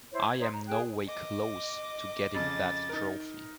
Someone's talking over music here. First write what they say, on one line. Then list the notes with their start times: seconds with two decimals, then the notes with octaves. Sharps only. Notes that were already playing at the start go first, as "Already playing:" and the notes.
I am no way close to getting that trophy.
0.12 E4 C5 C#5
0.27 G#6
0.39 D#4 C5 C#5
0.52 A#5
0.67 G#4 G5 F#6
1.07 D#5 D6
2.35 F2 C#3 A6
2.89 D#4 A#4